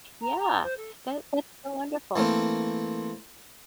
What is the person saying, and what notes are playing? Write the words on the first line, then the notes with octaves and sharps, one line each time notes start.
Yeah, that that's so wonderful.
A#5
A#5
C5
A4
E3 A3 A#3 C4